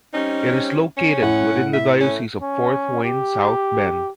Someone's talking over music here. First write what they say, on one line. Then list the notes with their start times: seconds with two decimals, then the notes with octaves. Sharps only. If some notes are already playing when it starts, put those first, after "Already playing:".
It is located within the Diocese of Fort Wayne-South Bend.
0.14 G3 C4 C#4 D#4
0.97 C#4
1.22 A2 F#5
1.74 E5
2.01 A3 C#4
2.42 C#4
3.04 G4